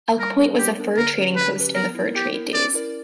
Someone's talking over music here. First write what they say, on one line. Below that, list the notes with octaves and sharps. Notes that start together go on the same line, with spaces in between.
Elk Point was a fur trading post in the fur trade days.
G3 A#4
B3 D4 A#4
G3 G4
B3 D4 A#4
D3 A#4
F#3 C#4 G4 B4
D3 B4
F#3 C#4 G4 B4
B3 A#4
E4 A#4
B3 G4
E4 A#4
C#4 D5
E4 A#4 D5